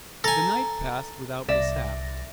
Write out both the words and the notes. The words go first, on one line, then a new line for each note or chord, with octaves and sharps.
The night passed without mishap.
A4 G#5 A#5
C2 D5 E5 A#6